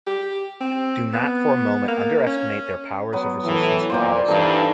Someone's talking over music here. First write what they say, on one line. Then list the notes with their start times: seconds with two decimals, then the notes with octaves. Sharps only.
Do not for a moment underestimate their powers of resistance to our assault.
0.07 G4
0.61 C4
1.13 B3
1.88 A#3
2.26 C#4
3.13 F#3 B3
3.44 A2 E3
3.90 A#2 C5 D5 G5
4.28 G2 E3 D#4 A4